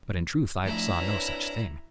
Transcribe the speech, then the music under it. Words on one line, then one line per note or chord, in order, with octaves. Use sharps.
But in truth I saw no such thing.
F3 A3 D4 E4 A#5
D4 B4 C#5